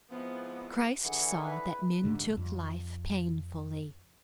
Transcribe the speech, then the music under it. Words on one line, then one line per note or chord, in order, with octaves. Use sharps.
Christ saw that men took life painfully.
G#2 F3 B3 C4 E4
D3 E3 G#4 F#5
B4 E5
G#2 D3 G3
F2